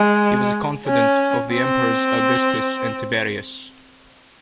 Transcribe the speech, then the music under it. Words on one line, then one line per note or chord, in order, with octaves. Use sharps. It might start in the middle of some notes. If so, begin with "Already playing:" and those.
He was a confidant of the emperors Augustus and Tiberius.
Already playing: G#3
C#4
C4